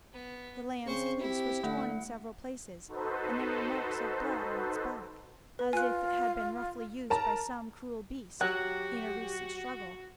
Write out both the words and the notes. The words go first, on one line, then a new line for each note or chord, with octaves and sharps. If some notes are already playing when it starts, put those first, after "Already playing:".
The lamb's fleece was torn in several places, and there were marks of blood on its back, as if it had been roughly used by some cruel beast in a recent struggle.
B3
C#3 C4 C5 C#6
E4 G4
D3 A3 F#5
D#4 F#4 A4 B4 C5
B4
F4 G#5 F#6
A#4 A5 A#5
F#3 F#4 G4 F#6